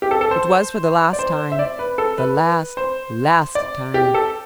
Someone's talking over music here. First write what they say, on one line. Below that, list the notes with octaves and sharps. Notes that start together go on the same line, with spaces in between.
It was for the last time--the last, last time.
G4
A4
A4
C5
D5
C5
E5
D5
B4
A4
B4
C5
D5
G4
A4